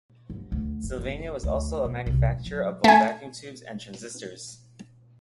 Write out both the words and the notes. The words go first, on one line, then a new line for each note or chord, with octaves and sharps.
Sylvania was also a manufacturer of both vacuum tubes and transistors.
G1
D2
F#1
F#1
D2
B2
C2
B2
F#3
A3 G#5